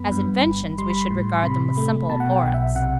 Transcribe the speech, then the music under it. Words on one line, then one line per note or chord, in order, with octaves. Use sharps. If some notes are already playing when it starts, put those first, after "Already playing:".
As inventions, we should regard them with simple abhorrence.
Already playing: F#2 B3 B5
G2
G1
G3 C6
B5
C6
A2
C6
C3 B5
A3
B2 A5
F#5
G5
B1 F#5
E5
C3 F#5